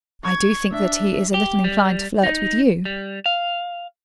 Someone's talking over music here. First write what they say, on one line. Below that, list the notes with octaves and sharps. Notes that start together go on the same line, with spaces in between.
"I do think that he is a little inclined to flirt with you."
C#6 G#6
D4 E5
G4
G3
D#4
G3
F5